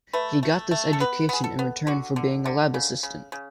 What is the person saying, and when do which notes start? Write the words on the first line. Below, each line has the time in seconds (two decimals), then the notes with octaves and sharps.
He got this education in return for being a lab assistant.
0.13 A3 B4
0.43 A3
0.71 A3
0.93 A4
1.00 B3 B4
1.29 B3 G#4
1.44 A4
1.59 B3
1.87 D3 F#4
2.16 D3
2.46 D3
2.74 C#3
3.03 C#3
3.32 C#3